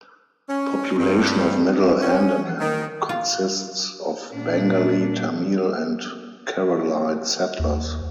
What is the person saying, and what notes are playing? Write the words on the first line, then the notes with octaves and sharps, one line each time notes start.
Population of Middle Andaman consists of Bengali, Tamil and Keralite settlers.
C#4
G2
C#4
D#3
F4
A#2 D4
D#2